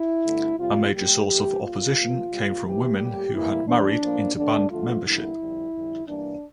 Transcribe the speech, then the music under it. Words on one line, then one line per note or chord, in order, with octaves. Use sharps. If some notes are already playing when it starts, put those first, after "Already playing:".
A major source of opposition came from women who had married into band membership.
Already playing: E4
G2 D3 A3
F2 C3 G3 F4
A#2 G3 A#3 G4
E2 E3 A3 G4
A2 G3 A#3 F4
E2 C3 F3 A#3
C3 G3 A#3
C3 E3 A#3 G4
A2 G3 A#3 G4
C3 E3 G3 A#3 E4
E2 E3 A3 D4
A2 F3 A#3
G2 D3 A3 D4
F2 D3 F3 A3 F4
E2 D3 G3 A#3 E4
F2 D3 G3
F2 D3 G3
G2 E3 G3 A#3 D4